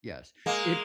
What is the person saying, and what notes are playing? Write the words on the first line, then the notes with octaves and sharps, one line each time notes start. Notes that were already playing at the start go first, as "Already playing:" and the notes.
Yes. It
G#3 A#3